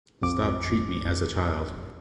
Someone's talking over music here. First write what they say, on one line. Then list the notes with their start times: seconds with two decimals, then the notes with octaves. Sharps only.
Stop treat me as a child.
0.22 A#1 F2 D6